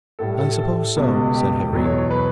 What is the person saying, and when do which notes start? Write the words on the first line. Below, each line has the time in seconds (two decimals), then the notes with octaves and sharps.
"I suppose so," said Harry.
0.19 A2 G3 A4
0.38 A4
0.58 A4
0.95 C#2 B2 G3
1.34 G4
1.72 E2 B2 F#3 A4
1.85 C#5
1.98 C#5
2.11 B4